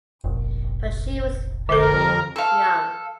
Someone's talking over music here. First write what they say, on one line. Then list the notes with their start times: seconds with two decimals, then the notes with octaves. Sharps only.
But she was very young.
0.24 F1 A#1
1.69 F2 D3 A4 A#4
2.36 A4 F5